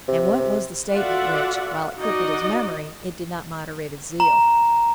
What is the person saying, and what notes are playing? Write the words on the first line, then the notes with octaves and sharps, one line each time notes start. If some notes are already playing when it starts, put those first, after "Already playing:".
And what was the statement which, while it crippled his memory, it did not moderate his zeal?
C3
F4 F#4 A4 D5 E5 F#5
D#4 F#4 D5 D#5
A#5